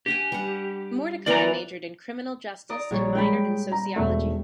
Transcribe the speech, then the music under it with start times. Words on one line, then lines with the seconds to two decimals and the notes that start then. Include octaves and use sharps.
Mordecai majored in criminal justice and minored in sociology.
0.06 D4 G4 F#5 G#5
0.32 G3 F#5
1.26 E3 B3 A#4 D5 A#5
2.69 D5 A#5 D#6
2.91 A#1 G3 C#5
3.15 G#3 G5 B5
3.72 A#5
3.96 E1 A3